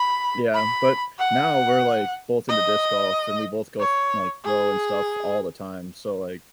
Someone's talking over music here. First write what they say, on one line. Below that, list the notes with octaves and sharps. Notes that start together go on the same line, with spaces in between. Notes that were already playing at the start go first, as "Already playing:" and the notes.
Yeah, but now, we're, like, both into disc golf, and we both go th like, throw and stuff all the time, so, like,
Already playing: B5
B5
F#5
D#5
C#5
G#4